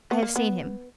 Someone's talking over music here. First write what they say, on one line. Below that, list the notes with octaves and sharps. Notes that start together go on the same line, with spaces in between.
"I have seen him."
B3
A#3
B3